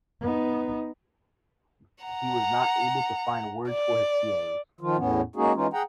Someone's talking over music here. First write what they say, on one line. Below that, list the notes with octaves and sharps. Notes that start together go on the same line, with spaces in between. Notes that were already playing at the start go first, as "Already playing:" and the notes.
He was not able to find words for his feelings.
B3 D#4
F#5 A#5
D5
D#3 F3 F4
E2 A2 B3 C#4
G#3 A#3 C#4 D#4 F#4 G#4
E3 G#3 C#4 D#4 F4
G#4 F#5 G5 A#5